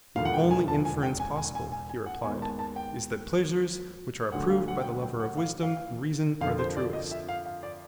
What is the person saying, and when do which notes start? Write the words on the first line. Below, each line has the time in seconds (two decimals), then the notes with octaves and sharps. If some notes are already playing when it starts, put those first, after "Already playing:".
The only inference possible, he replied, is that pleasures which are approved by the lover of wisdom and reason are the truest.
0.16 E1 D#2 D3 F3 F5
0.25 F#5
0.33 G5
0.51 G#5
0.68 A5
0.85 G#5
1.03 G5
1.20 G#5
1.37 G#5
1.55 G#5
1.72 G#5
1.90 G#5
2.06 F#5
2.24 D#2 D#3 G#3 B3 G#5
2.42 A5
2.59 A5
2.76 G5
4.32 D2 D3 F#3 F#5
4.50 F5
4.68 F#5
4.80 G5
4.84 F#5
5.02 G5
5.20 F#5
5.37 F5
5.63 F5
6.41 F2 D3 F3 A#3 F5
6.58 C5
6.77 D5
6.93 D#5
7.11 E5
7.29 F5
7.46 F5
7.63 D5